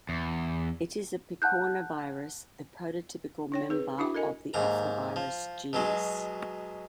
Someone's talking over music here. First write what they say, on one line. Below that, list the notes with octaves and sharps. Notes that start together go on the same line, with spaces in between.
It is a picornavirus, the prototypical member of the "Aphthovirus" genus.
E2
F#5 A5 F#6 G6
D#4 C#5 G5
C4 G#4 B4
D4 E4 F#4 E5 D6
A4 A#4 D#5 G#5
D#2 G#2 A#5
F3
B2 F#3 G#3